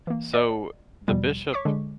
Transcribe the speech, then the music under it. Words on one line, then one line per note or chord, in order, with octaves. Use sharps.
so, the Bishop,
E3 A#3
D5 D#5
E2 B2 F3 G3
C#5 C#6 D6 B6
D3 G#3